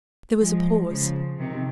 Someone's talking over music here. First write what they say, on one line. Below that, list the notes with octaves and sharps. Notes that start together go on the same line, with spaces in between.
There was a pause.
F3 G#3
C#3 F3
C3 D#3